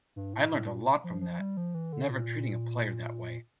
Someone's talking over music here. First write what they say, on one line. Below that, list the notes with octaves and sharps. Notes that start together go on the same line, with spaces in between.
I learned a lot from that, never treating a player that way.
G2
A2
A2
A#2
F3
F3
G3
F3
E3
D3
A#2